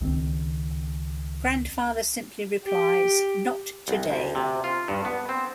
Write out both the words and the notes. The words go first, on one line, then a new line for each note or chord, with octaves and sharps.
Grandfather simply replies, Not today.
C#2 D#3 F3 C4
G4
C2
D2
C3
F4
G2
B3
C4